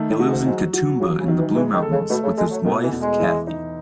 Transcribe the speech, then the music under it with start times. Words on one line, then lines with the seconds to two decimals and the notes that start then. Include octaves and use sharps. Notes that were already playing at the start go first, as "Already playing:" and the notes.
He lives in Katoomba in the Blue Mountains with his wife, Cathie.
Already playing: D#3 A3
0.10 A2
0.20 F#4
0.29 G#2
0.46 G#2 F#3
0.73 F#4
1.01 C#3 F#3
1.20 C#3
1.28 D#3
1.38 E3
1.55 E3 G#3
1.74 D#3
1.83 A4
1.92 C#3
2.10 B2 A3
2.24 C#3
2.37 G#3 A4
2.51 F#3
2.64 B2 D#3
2.83 E3
2.92 E2
3.02 G#3
3.20 E3
3.47 D#4